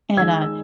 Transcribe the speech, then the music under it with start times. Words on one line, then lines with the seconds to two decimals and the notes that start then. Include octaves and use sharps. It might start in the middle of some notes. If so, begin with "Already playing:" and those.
And, uh,
0.17 D#3 G#3 E6 G#6
0.42 E6